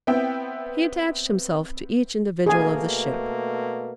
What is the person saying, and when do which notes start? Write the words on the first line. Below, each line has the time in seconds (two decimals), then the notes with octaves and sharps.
He attached himself to each individual of the ship.
0.07 B3 C4 E4 E5 G5
2.46 B2 A3 A#3 G#4 G#5